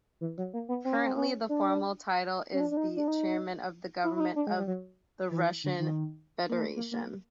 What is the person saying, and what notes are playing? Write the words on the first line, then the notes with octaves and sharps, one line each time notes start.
Currently, the formal title is the Chairman of the Government of the Russian Federation.
E3
F#3
A#3
B3
C4
C#4
C4
C#4
D4
C#4
D4
D4
D#4
D4
D#4
E4
E4
D#4
D4
G#3
G3
F#3
E3
D3
D#3
A#3
A3
A#3
A#3